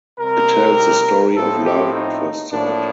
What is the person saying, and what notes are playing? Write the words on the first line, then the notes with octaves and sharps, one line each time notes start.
It tells the story of love at first sight.
C3 G3 C4 A#4
A2 F3 A3 C4 A4
G4
D#4
A2 F3 A#3 D4